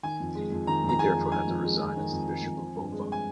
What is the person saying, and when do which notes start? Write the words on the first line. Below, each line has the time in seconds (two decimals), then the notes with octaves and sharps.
He therefore had to resign as bishop of Bova.
0.03 D#3 G#5
0.20 F2
0.35 G#3
0.52 F2
0.67 D#3 A#5
0.84 F2
0.89 A#5
0.99 G#3 G#5
1.16 F2
1.32 D#3 G#5
1.48 F2
1.64 G#3
1.80 F2
1.95 D#3
2.12 F2
2.27 G#3
2.43 F2
2.59 F3
2.76 G2
2.92 G#3
3.12 G#5